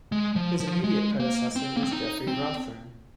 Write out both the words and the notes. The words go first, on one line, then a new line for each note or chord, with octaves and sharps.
His immediate predecessor was Jeffery Rowthorn.
G#3
F3
F3
G#3
A#3
C4
A#3
C4
D#4
C4